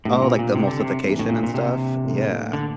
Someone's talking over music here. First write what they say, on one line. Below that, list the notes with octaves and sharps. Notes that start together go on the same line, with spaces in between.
Oh, like the emulsification and stuff, yeah.
A2 C3 G3 D4 G4
A#2
A#2
C3
D3
C3
C3 E3 A#3 D4
A2
A#2
A#2
C3
A2 E3 A#3 D4 A4
D3